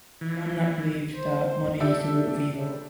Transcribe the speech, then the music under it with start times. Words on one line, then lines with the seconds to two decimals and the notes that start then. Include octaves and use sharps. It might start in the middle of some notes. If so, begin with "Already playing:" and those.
Ramnath believed that money is the root of evil.
0.21 E3
1.14 C5
1.80 D4 G4 A4 E5